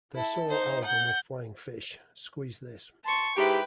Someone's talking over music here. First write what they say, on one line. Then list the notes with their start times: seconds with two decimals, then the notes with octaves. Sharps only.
Their sole album with Flying Fish, Squeeze This!
0.15 E4 A4
0.49 D#4 C5
0.85 F#5 G6
3.04 A5 C6 C#6
3.36 G#2 E4 G4 B4 G5